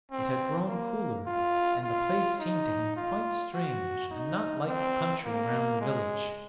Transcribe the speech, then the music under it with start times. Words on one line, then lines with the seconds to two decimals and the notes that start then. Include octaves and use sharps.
It had grown cooler and the place seemed to him quite strange and not like the country round the village.
0.12 C4
0.69 A#3
1.26 F4
1.83 F4
2.40 D#4
2.96 F4
3.53 F#4
4.11 D#4
4.67 C4
5.25 A#3
5.81 G#3